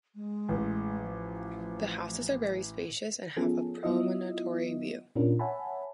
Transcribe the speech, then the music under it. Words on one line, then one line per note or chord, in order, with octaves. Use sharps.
The houses are very spacious and have a promontory view.
G#3
A1
F3
F3 B3 C#4 F4 G#4 A4
F#3 B3 E4 F4 D#5 E5
A#2 C#4 D4 F4 A#4
C#5 E5 F#5 G#5 A5 B5